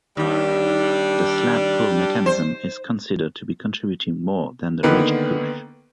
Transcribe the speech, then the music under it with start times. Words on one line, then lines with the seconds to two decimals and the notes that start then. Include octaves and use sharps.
The slab pull mechanism is considered to be contributing more than the ridge push.
0.17 D#2 G3 D4
2.26 C5
4.83 D3 D#3 A#3 B3 B4